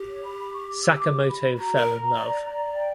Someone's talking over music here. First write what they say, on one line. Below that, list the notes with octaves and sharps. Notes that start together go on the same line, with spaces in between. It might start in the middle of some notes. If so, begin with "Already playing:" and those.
Sakamoto fell in love.
Already playing: G4
C#5
B5
B5
C#6
D6
E6
D6
B5
F#4 A#5
A#4
D5
G5